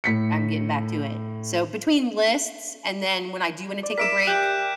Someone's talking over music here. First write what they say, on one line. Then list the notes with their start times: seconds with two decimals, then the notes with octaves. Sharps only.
I'm getting back to it." So, between lists, and then when I do wanna take a break,
0.04 A2 B6 C#7
3.83 D5
3.98 A#4 E5 D6 B6 D7 E7
4.27 G4 F#6 G6 D7